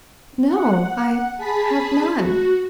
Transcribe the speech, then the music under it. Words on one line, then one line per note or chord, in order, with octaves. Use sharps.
"No; I have none."
F#5
G#4 A5 B5 B6
F#4